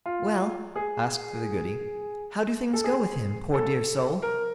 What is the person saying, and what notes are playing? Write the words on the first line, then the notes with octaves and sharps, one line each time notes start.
'Well', asked the Goody, 'how do things go with him, poor dear soul?'
F4
G#4
A4
G#4
A4
A#4